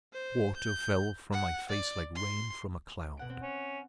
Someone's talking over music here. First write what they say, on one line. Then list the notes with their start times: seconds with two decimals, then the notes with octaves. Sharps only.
Water fell from my face like rain from a cloud.
0.13 C5
0.56 G6
1.33 F#5
1.69 D5
2.16 C6
3.17 B2 F#5 D7
3.30 C4
3.42 C#4